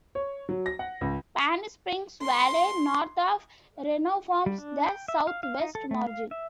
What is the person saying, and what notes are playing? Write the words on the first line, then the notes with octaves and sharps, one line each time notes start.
Spanish Springs Valley north of Reno forms the southwest margin.
C#5
F#3
A#6
F#5
C#2
C6
G3
D4
G5
E5
F5
F5
D#4
A4
A3
F5
E5